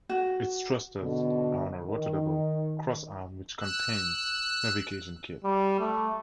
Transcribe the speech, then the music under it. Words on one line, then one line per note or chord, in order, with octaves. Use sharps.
Its thrusters are on a rotatable cross-arm which contains navigation kit.
F#4
G#2 B2 D3
D#3
E6 F#6
G3
A3